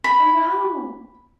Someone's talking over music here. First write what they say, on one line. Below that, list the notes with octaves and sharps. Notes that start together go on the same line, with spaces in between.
Oh, wow.
B5